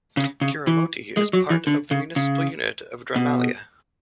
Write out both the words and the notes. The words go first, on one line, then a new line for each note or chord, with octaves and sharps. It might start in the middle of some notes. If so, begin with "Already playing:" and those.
Keramoti is part of the municipal unit of Drymalia.
C#3
C#3
E3
G#3
F#3
E3
D3
C#3
C#3
B2